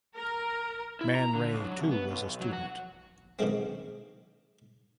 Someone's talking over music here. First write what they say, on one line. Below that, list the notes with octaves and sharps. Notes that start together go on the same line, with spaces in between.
Man Ray, too, was a student.
A#4
E4
A#5
D3
B1
F#3
C2
B3
B1
F#3
F#4
B2 D3 D#3 F#3 G#3 C4